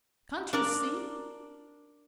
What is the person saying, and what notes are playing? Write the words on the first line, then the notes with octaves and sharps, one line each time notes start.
"Can't you see?"
D4 A#4 D5